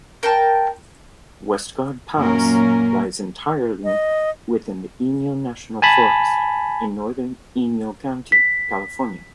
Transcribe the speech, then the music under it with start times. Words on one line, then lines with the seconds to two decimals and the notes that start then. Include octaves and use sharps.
Westgard Pass lies entirely within the Inyo National Forest, in northern Inyo County, California.
0.23 A#4 G5 A5
2.15 F#2 A#2 A#3 C#4 A#4
3.84 D#5
5.82 G#5 A5 B5
8.32 B6